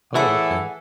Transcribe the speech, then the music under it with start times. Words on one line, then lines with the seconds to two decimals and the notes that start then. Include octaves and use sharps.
Oh, okay.
0.15 A2 E3 E4 G#4 A4 E5 F#5